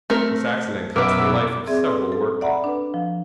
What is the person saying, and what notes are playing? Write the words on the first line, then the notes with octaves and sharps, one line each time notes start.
This accident cost the life of several workmen.
A3 C4 A#4
F#2 B2 A#4 B4 E5 D6
C4 G#4 D5 E5
A4 B4 C6
A4
D5 E5 F#5 A#5 B5
D4 B4
F3